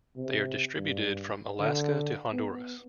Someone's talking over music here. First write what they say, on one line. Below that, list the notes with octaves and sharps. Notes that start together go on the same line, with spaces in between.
They are distributed from Alaska to Honduras.
C3
G2
D3
B3